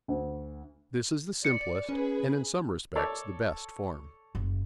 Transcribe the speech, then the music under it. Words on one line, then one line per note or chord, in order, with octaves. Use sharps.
This is the simplest, and in some respects the best, form.
D2
D5 C#7
C#4 G#4 B4
A4 C#5 D5
F#1